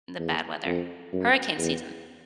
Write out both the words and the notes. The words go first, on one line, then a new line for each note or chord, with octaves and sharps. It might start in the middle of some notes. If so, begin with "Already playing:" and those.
the bad weather hurricane season.
E2
F2
F#2
E2